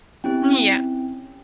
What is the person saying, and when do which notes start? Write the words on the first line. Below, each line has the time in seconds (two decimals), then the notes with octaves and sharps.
Mm. Yeah,
0.24 C4 C#4 E4 G4 G5